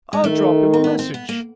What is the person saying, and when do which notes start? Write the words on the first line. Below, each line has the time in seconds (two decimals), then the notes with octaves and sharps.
"I'll drop him a message!"
0.13 G#3
0.24 D#3 A3
0.73 C4
0.84 B3
0.99 C4
1.14 B3
1.29 A#3